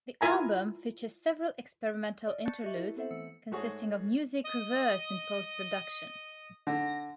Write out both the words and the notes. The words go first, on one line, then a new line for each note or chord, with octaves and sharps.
The album features several experimental interludes, consisting of music reversed in post-production.
E4 F4 A#4 G#5 A#5
D5 D#5 F6
A5 C#6 F#6 G6 A6 C#7
G4 D#5 E5 C#6
E4 A#4
B3 C4 A4 C5 E5 F#5
E3 A3 E6 C#7
G#2 A3 F#4 G#4 C#5 C#6
D#5
D3 A#6